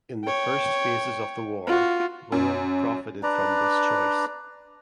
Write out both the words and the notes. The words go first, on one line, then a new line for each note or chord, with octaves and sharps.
In the first phases of the war Willem profited from this choice.
C#5 G5
F4 F#4
F#2
D4 B4 D5 A#5